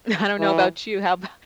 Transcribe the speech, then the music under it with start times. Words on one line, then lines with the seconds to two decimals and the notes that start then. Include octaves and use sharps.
I don't know about you, how about
0.39 E3